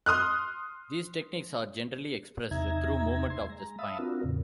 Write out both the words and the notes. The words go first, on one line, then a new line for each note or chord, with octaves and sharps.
These techniques are generally expressed through movement of the spine.
C6 D#6 F6 F#6
E2 C3 D#4 E5 A#5 G#6
E5 C6 G#6
G#3 A#5
E5 F5 A5 B5 D#6 E6
C4 D4 F4 F#4 A#4
E2 A2 C#3